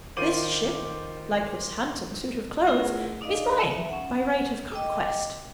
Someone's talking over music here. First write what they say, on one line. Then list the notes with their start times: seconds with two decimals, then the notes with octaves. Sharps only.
This ship, like this handsome suit of clothes, is mine by right of conquest.
0.17 D#3 F4 C5 D6 D#7 F#7
2.67 A3 E4 F4 G#4 A#4 F#5
3.21 D4 D#4 D5 D#5 F5
3.71 E5
3.89 C#4 F#5
4.72 D#5 G5 D6